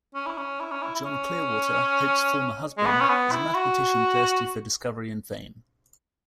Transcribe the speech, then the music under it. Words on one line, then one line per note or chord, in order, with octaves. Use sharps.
John Clearwater, Hope's former husband, is a mathematician thirsty for discovery and fame.
C#4
E4
C#4
E4
C#4
E4
E4
C#4
G#3
B3
C#4
B3
E4
F#4